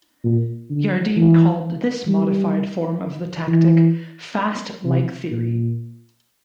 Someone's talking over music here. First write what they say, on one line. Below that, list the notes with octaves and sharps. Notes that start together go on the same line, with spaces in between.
Jardine called this modified form of the tactic "fast leg theory".
A#2
D3
E3
G3
E3
C3
A#2